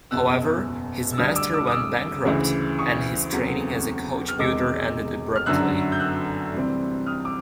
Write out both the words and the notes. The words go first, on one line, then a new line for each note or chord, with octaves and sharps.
However, his master went bankrupt and his training as a coach-builder ended abruptly.
F#1 E2 B2 E6 F#6
E6
D2 D3 G3 D#6 F6
D6 E6
D6 E6
D#6
D6 E6
D2 C#3 E3
C#6 D#6
E2 C#3 F#3 A3 C4
F6
E1 E2 C3 D#3 G#3 D6 E6
F6
G1 F#2 D3 F#3 E6 F#6
G6
E6 F#6
D2 C3 E3 G3 C4
D#6 F6
D6 E6